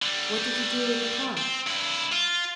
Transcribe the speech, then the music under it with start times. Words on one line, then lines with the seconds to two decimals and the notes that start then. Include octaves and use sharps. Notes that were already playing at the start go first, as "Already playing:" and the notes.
'What did you do with the calf?'
0.02 D3 G3
1.37 C4
1.67 G2 E4
2.12 F4